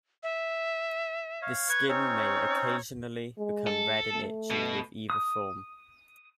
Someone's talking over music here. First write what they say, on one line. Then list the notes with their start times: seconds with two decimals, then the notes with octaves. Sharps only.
The skin may occasionally become red and itchy with either form.
0.23 E5
1.42 C#5 F5
1.69 B4 C#6 G#6
1.88 C4 C#4 D#4 C#5
3.38 G#3
3.67 A4
4.14 A3
4.50 B2
5.10 D#6